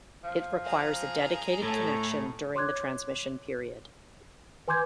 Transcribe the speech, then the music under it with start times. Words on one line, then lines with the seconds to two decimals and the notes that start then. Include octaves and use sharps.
It requires a dedicated connection during the transmission period.
0.23 F3
0.64 G#4 A#5
1.62 A2 A4
2.55 C#5 C6 D6 F#6 G#6
4.68 B4 G#5 C6 D6 G6 G#6